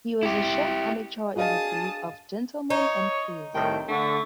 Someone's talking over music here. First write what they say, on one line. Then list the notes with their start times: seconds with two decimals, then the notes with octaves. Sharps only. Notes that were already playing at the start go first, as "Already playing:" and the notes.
He was a sham amateur in the days of gentlemen and players.
0.23 E4 G4
1.36 D4 F#4 G#4 D#5 F5 A5 D#6
2.70 D#4 C#5 C#6
3.54 C2 A2 D#3 G5 A5
3.89 D3 A3 C#6